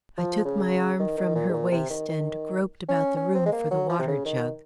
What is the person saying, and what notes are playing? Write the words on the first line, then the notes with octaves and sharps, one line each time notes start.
I took my arm from her waist and groped about the room for the water-jug.
F3
C#3
D#3
D#3
A#2
G#2
A#2
C3
D#3
D#3
C#4
C#4
C4
G#3
A#3
F#3
F3
C3
C#3
D#3